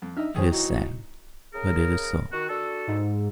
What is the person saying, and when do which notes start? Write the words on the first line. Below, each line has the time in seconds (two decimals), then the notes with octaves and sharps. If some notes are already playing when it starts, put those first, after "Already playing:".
It is sad, but it is so.
0.02 F2
0.17 D4 D#4 D#5 E5 F6
0.35 D#3 E3 G#4 C5 C#5
0.51 F#3 D#4 E4 F#4
1.53 C#3 G#4 A#4
2.32 D#3 F#4
2.49 D4 F#4 A4
2.87 G#2